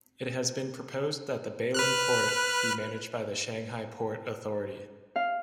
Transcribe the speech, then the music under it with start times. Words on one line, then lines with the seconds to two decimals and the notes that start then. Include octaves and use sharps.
It has been proposed that Beilun port be managed by the Shanghai port authority.
1.75 B4 F6 F#6
5.16 F5